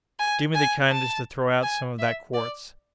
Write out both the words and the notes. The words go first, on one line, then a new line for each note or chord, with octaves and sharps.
"Do me the kindness to throw out some of that quartz!"
G#5
G#5
A5
G#5
E5
D5